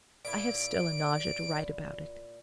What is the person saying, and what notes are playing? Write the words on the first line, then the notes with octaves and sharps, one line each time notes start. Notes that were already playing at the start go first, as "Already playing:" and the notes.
I have still a nausea to write about it!
A#2 E4 D7